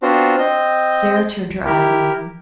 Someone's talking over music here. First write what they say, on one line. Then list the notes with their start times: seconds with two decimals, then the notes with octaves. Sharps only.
Sara turned her eyes on him.
0.02 B3 C4 D4 F4 F#4 C5
0.38 C4 D#5 G6
1.66 E4 G4 A#4